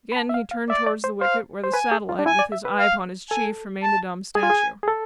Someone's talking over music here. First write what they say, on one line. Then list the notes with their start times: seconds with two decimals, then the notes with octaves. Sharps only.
Again he turned towards the wicket, where the satellite, with his eye upon his chief, remained a dumb statue.
0.12 B5
0.16 A5
0.29 E5
0.34 F5
0.51 F5
0.69 D5 E5
0.87 D5
1.04 C5
1.21 C5 F5
1.64 C5
1.74 B4 G#5
1.92 G#4
2.09 F4
2.19 D4
2.26 E4 G#5
2.39 D5
2.52 E5
2.65 B4
2.79 F5
3.31 A4 G#5
3.83 A5
4.35 G#4 G#5
4.43 F4
4.50 G#4
4.83 G#4
4.88 A4